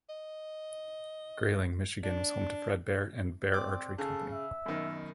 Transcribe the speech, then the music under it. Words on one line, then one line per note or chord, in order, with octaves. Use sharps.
Grayling, Michigan was home to Fred Bear and Bear Archery Company.
D#5
D4
C4 D5 D6
C#3 A4
E5
F#2 B2 D#3